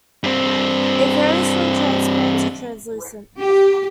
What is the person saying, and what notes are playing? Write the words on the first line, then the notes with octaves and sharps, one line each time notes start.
It varies from transparent to translucent.
G2 C4
G4